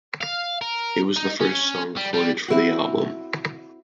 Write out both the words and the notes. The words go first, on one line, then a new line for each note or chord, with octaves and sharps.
It was the first song recorded for the album.
F5
A#4
D#4
C#4
G3
G3
C4 E4 F#4